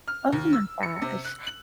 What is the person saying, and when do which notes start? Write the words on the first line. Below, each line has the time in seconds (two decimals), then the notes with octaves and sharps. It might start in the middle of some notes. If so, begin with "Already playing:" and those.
Oh my gosh.
0.08 F6
0.33 D#2
0.53 E6
0.83 C#7
1.02 C3
1.25 F#6
1.47 F#7